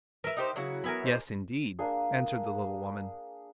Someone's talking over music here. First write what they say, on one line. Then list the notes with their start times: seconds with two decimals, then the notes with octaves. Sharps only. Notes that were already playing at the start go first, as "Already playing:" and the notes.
"Yes, indeed," answered the little woman.
0.24 A#4 B4 E5
0.37 D#4 G4 C5
0.56 C#3 F#3 E4 F#4
0.84 B3 A#4 E5 G#5 B5
1.03 D#4 G4 C5
1.79 A#3 D4 G#4